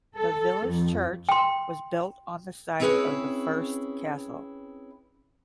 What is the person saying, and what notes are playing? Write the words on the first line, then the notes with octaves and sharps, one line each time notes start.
The village church was built on the site of the first castle.
A4
F2
G5 C6
C4 C#4 E4 G#4 B4 C#5